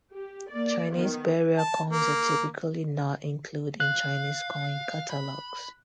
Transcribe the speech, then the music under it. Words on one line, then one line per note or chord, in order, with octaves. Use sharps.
Chinese burial coins are typically not included in Chinese coin catalogues.
G4
A#3 D5
D#3 B3
A5
A#3
F5 F#6
B5